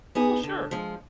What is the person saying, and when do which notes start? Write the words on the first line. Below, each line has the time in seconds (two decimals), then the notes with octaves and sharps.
Well, sure.
0.15 B3 D#4 G#4
0.43 D3
0.71 F3 G#3